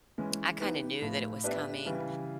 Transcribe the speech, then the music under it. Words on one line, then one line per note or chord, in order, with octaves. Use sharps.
I kinda knew that it was coming.
E3 G#3 C#4
B3 D#4 G4 B4
A2 F3 A3
B3 D4 G4 B4 E5
C#3 E3 G3